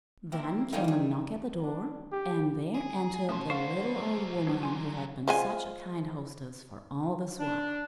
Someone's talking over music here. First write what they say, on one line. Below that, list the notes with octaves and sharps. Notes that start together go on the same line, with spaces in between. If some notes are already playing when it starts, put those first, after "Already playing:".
Then came a knock at the door, and there entered the little old woman, who had been such a kind hostess for all this while.
A#3 C4 E4
D#3 E3 G3 G#4 C5 F5
A3 G#4
D4
G4
G#4
B2 A3 C#4 C6
D4 F#4 C5 F5 C#6
F#3 G3
D4 B4
F4 G#5 C6
F3 G#3 G#5
D4